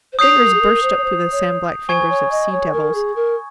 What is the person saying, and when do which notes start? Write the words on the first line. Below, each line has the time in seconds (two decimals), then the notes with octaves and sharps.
Fingers burst up through the sand-black fingers of sea devils.
0.13 C5
0.19 C#5 D#6 G6 C7 F7
0.40 A#4
0.54 G#4
0.61 A#4
0.82 C5
0.98 C#5
1.04 C5
1.32 C#5
1.88 C5 G#5 C#6 G#6
2.09 C#5
2.31 D#5
2.52 C#5
2.73 A#4
2.95 G#4
3.16 A#4